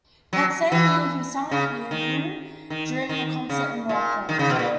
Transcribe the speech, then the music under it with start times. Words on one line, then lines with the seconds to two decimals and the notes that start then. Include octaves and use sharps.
That same year, he sang in Hebrew during a concert in Morocco.
0.33 F#3
0.72 E3
1.51 C#3
1.91 D#3
2.70 D#3
3.09 D#3
3.49 C#3
3.89 A#2
4.29 D#3
4.39 C#3
4.50 B2
4.59 A#2